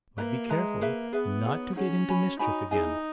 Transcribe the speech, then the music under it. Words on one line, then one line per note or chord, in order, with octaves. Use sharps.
"But be careful not to get into mischief again."
A#3 B4 E5 A#5
G#3 B4 E5 A#5
A#3 G#4 B4 E5
B3 G#4 B4 E5
D#4 G#4 C#5 F#5
C#4 D#4 G#4 C#5 F#5
F#4 C#5 G#5 B5
D#4 F#4 C#5 G#5 B5
D#4 E4 G#4 D#5 G#5